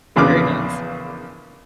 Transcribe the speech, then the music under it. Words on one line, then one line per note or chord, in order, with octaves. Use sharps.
Very nice.
A#1 E2 C#3 B4 D6 F6